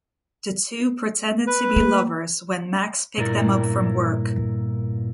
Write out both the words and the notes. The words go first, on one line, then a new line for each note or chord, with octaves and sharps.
The two pretended to be lovers when Max picked them up from work.
B4
A3 A#3
G2 A#2 E4 A#4 D5